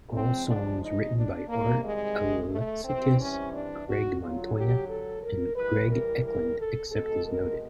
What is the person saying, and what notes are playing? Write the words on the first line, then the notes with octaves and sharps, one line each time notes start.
All songs written by Art Alexakis, Craig Montoya, and Greg Eklund, except as noted.
C#3 F3 G#3 C4
D4
D#4
D4
C3 D#3 G3 A#3
G#3
A3
C3 E3 G3 C4
C#4
D4
F#4
D3 F#3 F4
G4
A4
A#4
A2 E3 G3 B4
A#4
A#4
A4
B2 G#3 A4
A#4